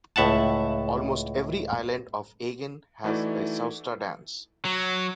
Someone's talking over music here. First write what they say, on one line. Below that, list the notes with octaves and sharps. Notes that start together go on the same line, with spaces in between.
Almost every island of Aegean has a sousta dance.
C#2 A2 E5 F#5 A5
E3 A3 D#4 E4 F#4 D5
F#3